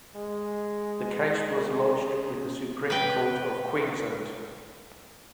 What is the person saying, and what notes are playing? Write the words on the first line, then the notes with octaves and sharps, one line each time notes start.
The case was lodged with the Supreme Court of Queensland.
G#3
C#3
B4 G5